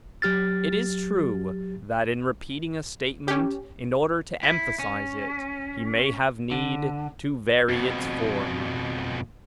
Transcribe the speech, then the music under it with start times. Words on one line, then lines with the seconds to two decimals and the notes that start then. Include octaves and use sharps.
It is true that in repeating a statement in order to emphasize it he may have need to vary its form.
0.22 F#3 G4 F6 A6
3.28 C#4 G4
4.43 E4
4.79 C#4
6.51 D3
7.69 F2 B2